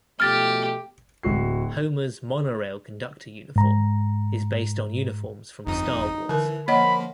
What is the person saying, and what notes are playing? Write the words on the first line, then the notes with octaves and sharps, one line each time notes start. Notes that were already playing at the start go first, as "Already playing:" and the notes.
Homer's Monorail conductor uniform is based on uniforms from "Star Wars".
B2 F3 A3 G4 F6 A6
D1 F#4 C7
G#2 A#5
G1 F2 D#4 D#6
D3 E3 A#4
F3 A#3 C#5 D#5 F#5 B5